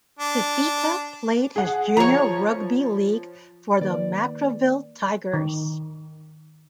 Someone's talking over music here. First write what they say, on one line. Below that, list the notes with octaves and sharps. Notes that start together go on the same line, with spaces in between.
Fifita played his junior rugby league for the Matraville Tigers.
D4
G#4 F#5
F3 C#5 A#5
D#3 A#3 B4 D5
D#3